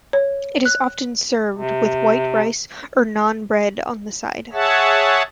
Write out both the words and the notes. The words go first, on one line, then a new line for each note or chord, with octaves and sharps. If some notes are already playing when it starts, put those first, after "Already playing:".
It is often served with white rice or naan bread on the side.
C#5
F#6
C3
G#4 C#5 E5 F#5 A5